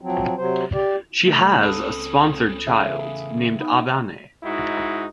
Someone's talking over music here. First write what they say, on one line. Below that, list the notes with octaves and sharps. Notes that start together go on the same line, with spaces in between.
She has a sponsored child named Abanne.
F3 F#3 C4
C3 F#3 C5
G4 D5
F1 A3
C#2 C4 C#4 A4 B4 D#6
E2 C#3 G#4 E5 F5
B3 D#4
G#2 D#4 E4 F#4